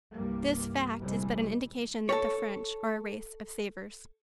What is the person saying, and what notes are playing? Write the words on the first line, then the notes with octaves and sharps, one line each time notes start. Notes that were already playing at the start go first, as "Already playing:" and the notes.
This fact is but an indication that the French are a race of savers.
C2 G2 G3 A#3
A#1 C3 E3 G3 G#3
A4 C#5